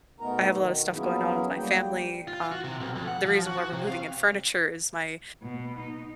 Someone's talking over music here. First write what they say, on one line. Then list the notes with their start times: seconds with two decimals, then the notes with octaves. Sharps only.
I have a lotta stuff going on with my family, um, the reason why we're moving in furniture is my,
0.20 B2 A3 B3 D#4 A#4 A#5
0.58 B2 D#3
0.94 F#3 A#3 B3 C#4 E4 G#4
1.56 G3 A#3 G5
2.28 F4
2.52 F#4
2.64 C3
2.80 B1
2.95 F2
3.08 F#5
3.25 F3
3.46 F#4
3.58 F#4
3.72 C3
3.87 F5
5.42 B2
5.78 D#4